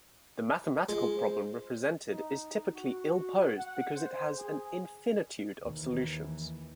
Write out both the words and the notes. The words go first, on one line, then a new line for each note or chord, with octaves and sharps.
The mathematical problem represented is typically ill-posed because it has an infinitude of solutions.
G#3 F4
C5
D#4
F#4
F#5
C5
G#4
D#2 E3